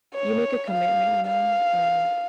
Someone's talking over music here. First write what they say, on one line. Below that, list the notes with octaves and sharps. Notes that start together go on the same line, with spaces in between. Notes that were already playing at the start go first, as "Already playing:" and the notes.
you make a commitment, you know, uh,
C#5
F5
F5